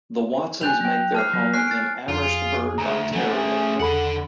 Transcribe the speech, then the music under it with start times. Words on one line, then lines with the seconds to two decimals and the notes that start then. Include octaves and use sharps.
The Watsons make their home in Amherstburg, Ontario.
0.61 G3 D4 G#5 F#6 G6 F7
0.81 F#3 G5
1.15 A5 F6 C7
1.33 F#3
1.54 C#5 G#5 F#6 C7
1.68 A6 D7
2.08 F2 D#4 F4
2.21 G#4
2.78 D2 A#5
3.13 A3 B3 C#4
3.33 G#4
3.80 E2 D3 A4 F#5 B5